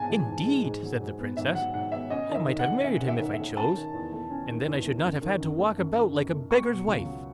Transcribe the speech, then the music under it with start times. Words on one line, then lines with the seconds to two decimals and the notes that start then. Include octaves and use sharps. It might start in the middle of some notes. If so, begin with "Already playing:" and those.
'Indeed!' said the Princess; 'I might have married him if I chose, and then I should not have had to walk about like a beggar's wife.'
Already playing: G#2 G#3 B3 G#5 A5
0.09 E3
0.28 G#2
0.45 G#3
0.64 G#2
0.83 F#3
1.00 G#2
1.19 B3
1.37 G#2 E5
1.55 F#3 F#5
1.74 G#2 F#5
1.92 B3 E5
2.10 C#4 D#5
2.29 D#3 E5
2.46 D#2
2.59 F#5
2.66 A3
2.84 C#4 E5
3.02 D#3
3.08 E5
3.20 D#2
3.33 E5
3.39 A3
3.57 C#4 A5
3.75 D#3
3.94 E2
4.12 A3
4.30 C#4
4.49 D#3
4.67 E2
4.85 A3
5.04 F#2
5.22 D#3
5.40 F#2
5.59 A3
5.77 F#2
5.95 D#3
6.14 F#2
6.32 A3
6.50 B3 C#6
6.69 B2
6.87 C#2
7.05 F#3